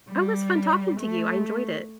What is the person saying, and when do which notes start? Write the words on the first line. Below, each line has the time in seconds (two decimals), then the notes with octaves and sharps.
It was fun talking to you, I enjoyed it.
0.11 G3
0.99 A3